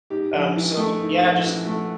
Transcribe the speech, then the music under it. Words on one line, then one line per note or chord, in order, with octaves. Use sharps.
Um, so, yeah, just
G#2 G4
A#1
E3
A3
G#2
A#1
E3 F#4
A3